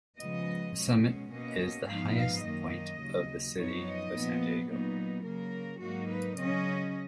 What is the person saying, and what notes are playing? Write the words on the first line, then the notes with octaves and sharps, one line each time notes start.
The summit is the highest point of the city of San Diego.
C#3 F3 G#3 B3 D#5
B2 G#3 C#4
B2 A#3 C#4 D#5
G#2 F3 B3 D#4 F5
F5
F#2 D#3 A#3 D#5
D#2 C#3 F#3
F#2 F3 B3 D#4 C#5
D#5
A#2 F3 B3
A#2 F#3 B3 D#4
C#3 F#3 A#3 A#4
G#2 F#3 A#3 D#4 F#4
B4
C#3 F#3 C#4 D#5